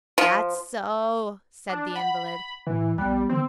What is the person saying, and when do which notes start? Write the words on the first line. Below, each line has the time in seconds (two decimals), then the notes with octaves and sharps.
"That's so," said the invalid.
0.18 F3
1.69 D4
1.96 F#5 B5
2.67 A2 E3
2.98 A#1 G3 B3 G5 F#6
3.30 D3 C4